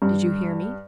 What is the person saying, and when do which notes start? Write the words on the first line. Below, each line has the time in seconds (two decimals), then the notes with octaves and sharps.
"Did you hear me?"
0.02 G2